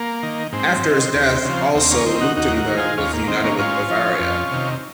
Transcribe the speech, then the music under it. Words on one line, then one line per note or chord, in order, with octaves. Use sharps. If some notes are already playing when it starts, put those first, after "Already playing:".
After his death also Leuchtenberg was united with Bavaria.
Already playing: A#3
D#3
G#2 C4
D#3
D#2
C#3 F3
D#2 C4
A#3 C#4
D#3 C4
D#4 F#4
D#2 D#4 F#4
F#4 A#4
D#3
F4 G#4
D#2 C#4 F4
A#3
D#3 C4
A#3 C#4
G#2 C#4 F4
F3
F2
C3 D#3